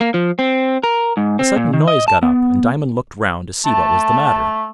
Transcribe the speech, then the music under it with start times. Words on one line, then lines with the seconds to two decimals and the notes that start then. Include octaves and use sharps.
A sudden noise got up, and Diamond looked round to see what was the matter.
0.01 A#3
0.14 F3
0.39 C4
0.84 A#4
1.17 G#2
1.39 C4
1.56 A#2
1.73 D#3
1.88 D#5
2.08 A5
2.23 B3
3.65 A3 A5